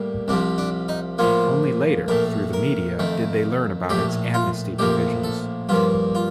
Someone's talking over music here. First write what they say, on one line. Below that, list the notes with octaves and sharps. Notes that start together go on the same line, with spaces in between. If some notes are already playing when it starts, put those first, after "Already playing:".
Only later, through the media, did they learn about its amnesty provisions.
Already playing: A2 G3 A#3
C2 C3 F3 D4
D4
D#4
A2 F3 A#3 F4
A#1 A2 A3 A#4
A#4
F2 D#3 A3
A#1 A2 A3 G4
F4
A#1 A2 F3 A#3 G4
A4
G2 F3 A#3 F4
F4